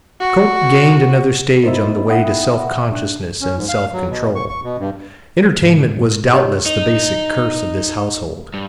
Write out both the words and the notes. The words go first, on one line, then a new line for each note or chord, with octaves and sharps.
Cope gained another stage on the way to self-consciousness and self-control. Entertainment was doubtless the basic curse of this household.
F#4
B3 D#4 E4 A#4 C5 D#5 E5 B5
E5 F#5 G5 B5 D#6 A#6
D4 F#6
C#4
G#2
F5
F#3
B2
C#6
C#6
B2
G2
G#2 C3
G4 C#5 D#5
D#4
G2